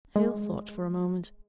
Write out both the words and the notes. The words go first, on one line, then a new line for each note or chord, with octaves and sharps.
Hale thought for a moment.
G#3